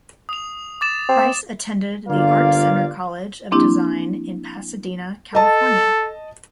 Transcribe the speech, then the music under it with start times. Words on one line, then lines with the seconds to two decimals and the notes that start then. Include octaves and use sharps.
Price attended the Art Center College of Design in Pasadena, California.
0.29 D#6 F7
0.81 D6 A6 E7
1.09 C4
1.20 D6
2.08 G1 D3 A#3 F4 D5 F5
3.51 F3 A#3 C4 D4 E4 G4
5.35 A4 D#5 A5